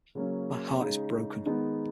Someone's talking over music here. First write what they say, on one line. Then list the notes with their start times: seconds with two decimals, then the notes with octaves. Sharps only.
My heart is broken.
0.15 C#3 F#3 A#3 C#4
0.80 C#3 G#3 D#4
1.46 D#3 G#3 B3 D#4